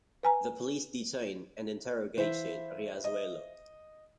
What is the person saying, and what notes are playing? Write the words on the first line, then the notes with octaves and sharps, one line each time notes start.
The police detained and interrogated Riazuelo.
B4 G#5 A#5
E3 C5 E5 F5
D#5